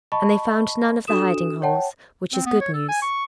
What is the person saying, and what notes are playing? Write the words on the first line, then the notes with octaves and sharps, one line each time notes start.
And they found none of the hiding-holes, which is good news.
D#5 A5 B5 C#6
D4 F#4 A4 D#6 E7
C#5 F#5 G5 A5
C4
B3
C#5
A4
G#5
C#6